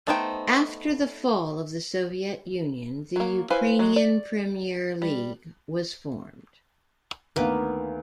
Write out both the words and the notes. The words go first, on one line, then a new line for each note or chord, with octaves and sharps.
After the fall of the Soviet Union, the Ukrainian Premier League was formed.
A3 B3 D#4 C5 G5
F#3 A#3
E4 B4 C5 F5 G#5
F#3 G#3
D5
G3
D2 D#3 A#3 B3 B4 F5